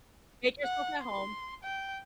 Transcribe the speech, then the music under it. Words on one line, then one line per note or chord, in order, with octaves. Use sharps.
"Make yourself at home."
F#5
C6
G5